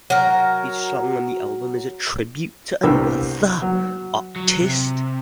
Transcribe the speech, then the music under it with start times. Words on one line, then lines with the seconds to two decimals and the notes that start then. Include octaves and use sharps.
Each song on the album is a tribute to another artist.
0.10 F#3 A#4
2.83 C2 G2 B3 G4 A#4 E6
3.62 F#3
4.36 F#3
4.61 C3